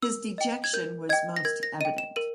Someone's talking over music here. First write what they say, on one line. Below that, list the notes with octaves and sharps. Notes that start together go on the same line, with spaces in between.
His dejection was most evident.
A#4 E6
D#5 G5
G#6
A#4 G6
D#5 G5 G#6
A#6
A#4 G#6
A#6
D#5 G5 D#7
E7
A#4 D#7